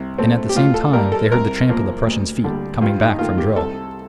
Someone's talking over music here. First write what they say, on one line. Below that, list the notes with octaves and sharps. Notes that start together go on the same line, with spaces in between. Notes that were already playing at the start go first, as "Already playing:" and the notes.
And at the same time they heard the tramp of the Prussians' feet, coming back from drill.
Already playing: C2
A#2 A3 C4
G4
A2 F4
A4
G3 A#3 A#4
A4
C2 A#4
A#2 F3 A#3
D2
D3 G3
G2 F4
D#4
D#3 A3 F4
G4
C2 A4